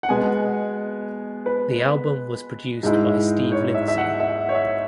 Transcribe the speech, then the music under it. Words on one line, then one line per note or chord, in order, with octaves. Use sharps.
The album was produced by Steve Lindsey.
F#5
B2 G#3 B3 G#5
B4
G#2 G#3 E4
C#5
E5
E5
F#5
E5
C#5
E5